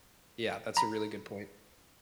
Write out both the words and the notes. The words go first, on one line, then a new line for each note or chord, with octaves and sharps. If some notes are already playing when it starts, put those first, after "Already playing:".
yeah, that's a really good point.
A#5 B5